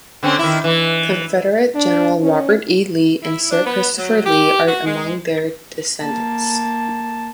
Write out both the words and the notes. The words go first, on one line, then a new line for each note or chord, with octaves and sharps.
Confederate General Robert E. Lee and Sir Christopher Lee are amongst their descendants.
D3 C4 C#4
D#3 E4
E3
D4
C#4
E4
D4
B3
F#3
G4
F#4
G#3
A#3 A5